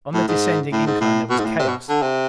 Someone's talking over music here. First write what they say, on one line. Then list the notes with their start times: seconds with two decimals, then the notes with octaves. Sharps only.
On the descending incline there was chaos.
0.14 A2
0.28 G#2
0.72 A2
0.87 G#2
1.01 A2
1.30 B2
1.39 G#2
1.45 A2
1.59 C3
1.68 B2
1.89 D3
2.02 C3